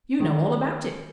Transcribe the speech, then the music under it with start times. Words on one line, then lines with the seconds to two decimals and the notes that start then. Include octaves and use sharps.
You know all about it.
0.20 D#3